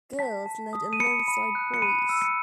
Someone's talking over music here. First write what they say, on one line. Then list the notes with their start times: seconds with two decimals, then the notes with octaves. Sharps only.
Girls learned alongside boys.
0.19 A5 B6
0.46 A5
0.73 D#6
0.93 D#7
1.00 B5 C#7
1.28 B5
1.55 F#6
1.74 C#7
1.82 B5 D#7
2.09 E6
2.22 C#7